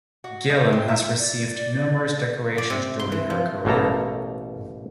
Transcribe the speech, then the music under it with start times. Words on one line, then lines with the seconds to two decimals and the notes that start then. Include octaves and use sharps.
Guillem has received numerous decorations during her career.
0.24 F#4
0.50 G#3
0.73 C4
0.88 E5
1.19 D5
2.58 D5
2.70 C3
2.99 C6
3.12 E3
3.30 F3
3.65 A1 B2 A#3 A4 A#5